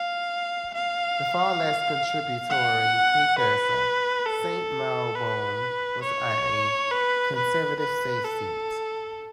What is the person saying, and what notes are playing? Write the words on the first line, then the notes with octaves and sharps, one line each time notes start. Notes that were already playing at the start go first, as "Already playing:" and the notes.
The far less contributory precursor, Saint Marylebone, was a Conservative safe seat.
Already playing: F5
F5
F#5
B4
A4
B4
C#5
B4
B4
B4
A4